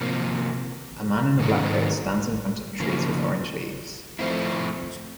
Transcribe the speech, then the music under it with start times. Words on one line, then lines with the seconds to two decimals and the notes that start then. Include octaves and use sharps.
A Man in a black coat stands in front of trees with orange leaves.
0.01 C3 F3 A#3
1.39 G#2 D#3 F#3 B3 D#4
2.80 C#3 F3 A#3
4.19 F3 A3 C4 E4